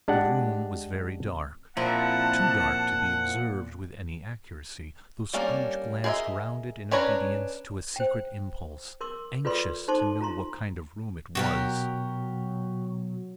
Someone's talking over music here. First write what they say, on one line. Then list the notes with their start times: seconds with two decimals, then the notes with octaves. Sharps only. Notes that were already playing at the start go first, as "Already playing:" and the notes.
The room was very dark, too dark to be observed with any accuracy, though Scrooge glanced round it in obedience to a secret impulse, anxious to know what kind of room it was.
0.08 G#3 D4 G4 F#5
1.77 A#2 F3 C4 E4 A#4 F#5 A5
5.33 G3 A#3 C#4 D4
6.04 G#4 A#4 B4 D#5 E5
6.91 C#4 D4 B4 C#5 A#5
7.96 C5 G5
9.01 A#4 C6 D6 E6
9.45 F4 A4 B4 D5 B5 C6
9.88 D#4 A4 C5 A5 C6 D6
10.21 F4 A#5 C6
11.35 B2 F#3 F#4 G4 A#4